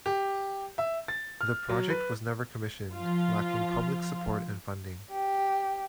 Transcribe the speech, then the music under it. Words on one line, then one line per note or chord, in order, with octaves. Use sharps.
The project was never commissioned, lacking public support and funding.
G4
E5
A6
F6
F#3
B4
F3 F4
G4